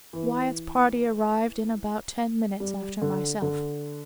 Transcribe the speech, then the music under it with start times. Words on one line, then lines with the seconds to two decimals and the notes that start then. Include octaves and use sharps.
Wyatt's party arrived in about ten minutes after myself.
0.13 E3
2.60 G3
3.01 D3
3.42 D3